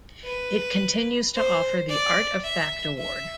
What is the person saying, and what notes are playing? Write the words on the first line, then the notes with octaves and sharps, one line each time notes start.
It continues to offer the Art of Fact Award.
B4
C5
D5
E5
E5